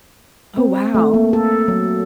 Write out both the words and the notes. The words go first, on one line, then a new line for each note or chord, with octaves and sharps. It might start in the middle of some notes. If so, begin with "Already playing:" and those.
Oh, wow.
C4
A3
A#3
A4
F#3